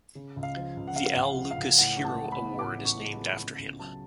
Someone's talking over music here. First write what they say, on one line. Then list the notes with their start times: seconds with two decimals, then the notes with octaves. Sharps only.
The Al Lucas Hero Award is named after him.
0.15 C#3
0.36 C#2
0.43 F5
0.56 F3
0.76 C#2
0.87 F#5
0.96 C#3 F5
1.17 C#2
1.37 F3
1.51 F5
1.58 C#2
1.78 A2 F#5
1.97 A1
2.05 A5
2.18 G#3
2.32 B5
2.38 B3
2.58 A2 D6
2.79 A1
2.85 C#6
2.99 G#3
3.19 B3
3.39 C#3
3.59 C#2
3.79 F#3 A5